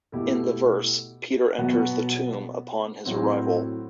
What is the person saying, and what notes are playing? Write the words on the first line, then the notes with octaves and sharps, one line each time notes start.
In the verse, Peter enters the tomb upon his arrival.
B2 A3 E4 G4
B2 F#3 B3 F#4
A2 F#3 C4 E4